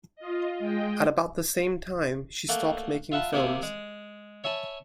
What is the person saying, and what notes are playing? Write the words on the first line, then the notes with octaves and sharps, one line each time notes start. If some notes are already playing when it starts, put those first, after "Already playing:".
At about the same time, she stopped making films.
F4 D#5
G#3 D#5 G5
A3 A#3 F#5
F4 E5 F#5 A5 B5
C3 A#3 E4 G4 G#4
G#3
C#5 E5 G#5 A5 B5